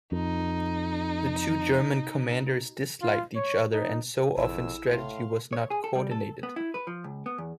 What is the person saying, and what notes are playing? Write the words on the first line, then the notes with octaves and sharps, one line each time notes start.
The two German commanders disliked each other, and so often strategy was not coordinated.
F2 D#4
F4
C#5
D#4
A1 F2 E4 G#4 E6
A2 F5 C6
C#5
G#4
A4
G3
A4
B3
E4
B4
F3
C#2
B3
E2